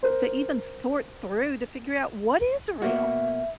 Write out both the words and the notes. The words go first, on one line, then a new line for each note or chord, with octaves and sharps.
to even sort through to figure out what is real.
A#4 C5
B2 A#3 F#4 E5